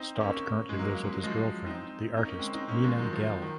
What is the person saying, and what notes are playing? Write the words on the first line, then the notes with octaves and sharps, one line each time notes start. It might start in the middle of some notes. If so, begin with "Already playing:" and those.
Stott currently lives with his girlfriend, the artist Nina Gehl.
Already playing: C4 D#4
C4
A#3 C#4
G#3
F#3 A#3
A#3
G#3
F#3
F3 G#3
C4 D#4
D#4
A#3 C#4
G#3 C4
C4 D#4
A#3 C#4
F3 G#3
D#3 F#3
F3
D#3